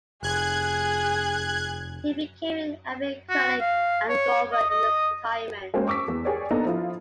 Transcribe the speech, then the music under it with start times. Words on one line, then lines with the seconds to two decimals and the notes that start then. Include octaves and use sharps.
He became an avid curler and golfer in his retirement.
0.23 F1 G#4 F#6 G#6
3.30 F#4
3.61 F5
4.09 C#5
4.53 D#5
4.71 D#5
5.74 G#3 A#3 C#4 F#4 C5 G5
5.88 C#6 D6 E6 B6
6.08 E2
6.25 G4 G#4 A#4 C#5 D5
6.51 A#3 B3 D4 D#4 A4 A#5
6.65 F3 E4 F4